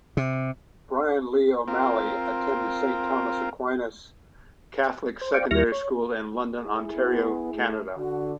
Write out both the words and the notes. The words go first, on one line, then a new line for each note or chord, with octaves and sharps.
Bryan Lee O'Malley attended Saint Thomas Aquinas Catholic Secondary School in London, Ontario, Canada.
C3
C4 F4 A#4
C5
C5 D5 F5 G5 C#6 D6
D#2 G3 E4 C#6 F6 A#6
C#5
E4 G#4
B3
A3
D3 F#4